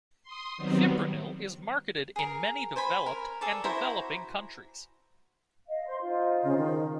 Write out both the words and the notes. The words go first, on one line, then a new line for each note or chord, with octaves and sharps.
Fipronil is marketed in many developed and developing countries.
C6 D#6
D#3 F#3 G3 B3 C4
G#4 A#4
C5 G#5 B5
A#4
G#4 A4 D5
E4 F#4 C5 A#5
D#5 F5
C5 C6
D#4 F4 C5
C#3
D#3